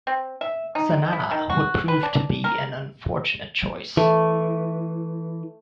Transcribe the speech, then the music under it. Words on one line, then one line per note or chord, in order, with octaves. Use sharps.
Zanana would prove to be an unfortunate choice.
C4
E5
D#4
E4
D#3
F#4
B4
D4
A#4
E3 A3